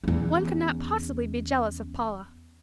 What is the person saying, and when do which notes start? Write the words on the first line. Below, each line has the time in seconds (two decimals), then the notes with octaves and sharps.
One could not possibly be jealous of Paula.
0.04 E2 C#4